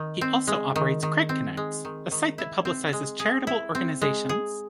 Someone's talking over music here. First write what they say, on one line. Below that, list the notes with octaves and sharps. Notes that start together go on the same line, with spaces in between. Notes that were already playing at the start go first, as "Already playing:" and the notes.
He also operates Craigconnects, a site that publicizes charitable organizations.
Already playing: D#3
C4
G#3
D#3
D#3
C4
G#3
D#3
D#3
E4
C4
G#3
G#4
E4
C4
G#3
G#4